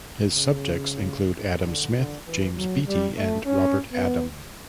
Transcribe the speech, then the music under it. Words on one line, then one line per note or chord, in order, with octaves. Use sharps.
His subjects include Adam Smith, James Beattie and Robert Adam.
C#3
D3
D3
E3
F#3
G3
A3
C#4
B3